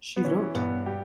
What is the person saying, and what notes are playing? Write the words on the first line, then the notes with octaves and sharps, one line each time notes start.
She wrote ...
B3
E3 C#4
G2 B3
G3 G4